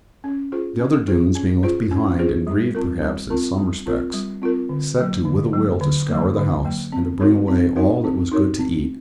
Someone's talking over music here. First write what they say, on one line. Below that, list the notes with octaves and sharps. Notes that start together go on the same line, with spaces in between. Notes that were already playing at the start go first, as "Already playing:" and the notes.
The other Doones being left behind, and grieved perhaps in some respects, set to with a will to scour the house, and to bring away all that was good to eat.
C#4
F4 G#4 C5
C#4
F4 G#4 C5
C#4
F4 G#4 C5
C#4
F4 G#4 C5
G3
C4 F4 A#4
G3
C4 F4 A#4
G3
C4 F4 A#4
G3
C4 F4 A#4
D3
F#3 A#3
D3
F#3 A#3
D3
F#3 A#3
D3
F#3 A#3
C4
D#4 F#4 A#4 C#5
C4
D#4 F#4 A#4 C#5
C4
D#4 F#4 A#4 C#5
C4